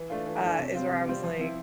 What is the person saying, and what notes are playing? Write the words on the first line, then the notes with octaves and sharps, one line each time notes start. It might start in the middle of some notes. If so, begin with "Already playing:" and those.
uh, is where I was like,
Already playing: E3
A3 D4 F4
E3
A3 D4 F4
C3
G3 C4 F4
C3
G3 C4 F4
F3
C4 E4